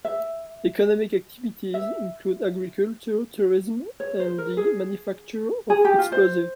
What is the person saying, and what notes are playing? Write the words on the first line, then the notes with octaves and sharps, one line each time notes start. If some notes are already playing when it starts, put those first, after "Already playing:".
Economic activities include agriculture, tourism and the manufacture of explosives.
E5
E5
C#5
C5
A#4
G#4
G#4
G4
F4
C5